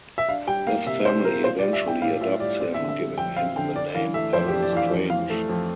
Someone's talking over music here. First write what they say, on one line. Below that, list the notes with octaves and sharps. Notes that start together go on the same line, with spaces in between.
This family eventually adopts him, giving him the name "Allen Strange".
E5
D4 F5
G3 G5
A#3 F5
C3 E5
D4 C5
G3 A#4
F4 C5
D5
G3
E5
D4
G5
A2 F5
F4 E5
G3 D5
C4 D5
E5
D3
E5
G3
F2 G5
C4 F5
D3 G5
D4 D5
E3 F5
A3 E5
F2 C5
G4
D4
D5
E3 F5
F2
E3 F5
A3
F2